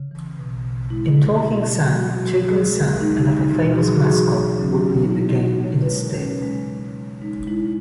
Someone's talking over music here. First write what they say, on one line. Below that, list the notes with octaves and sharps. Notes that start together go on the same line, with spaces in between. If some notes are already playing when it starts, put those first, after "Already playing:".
In Talking Sam, Toucan Sam, another famous mascot, would be in the game, instead.
Already playing: C#3
E3
B2
B2
G#3 E4
G#3
B2
F#3
B2 F#4
F#3
G#3 G#4
G#3 A#4
G#3 D#4
G#3 D#4
B2 F#4
G#4
F#3 F#4
F#4
E3 G#4
E3
F#3 C#4
F#3
D#4
B2 E4
B2 C#5
G#3 C#5
B4
G#3
A#4
C#3 C#4
G#3
G#3
G#3
G#3 D#4
G#3 E4